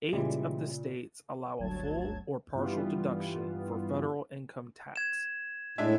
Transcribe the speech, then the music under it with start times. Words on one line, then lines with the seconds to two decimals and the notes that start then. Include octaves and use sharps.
Eight of the states allow a full or partial deduction for federal income tax.
0.13 A#2 C#3 E3 G3 G#3
1.59 G1 D2 F#3 A5 G#6
2.54 G2 E3 G3 B3 F4
4.96 G#6 E7
5.78 A2 G#3 D4 E5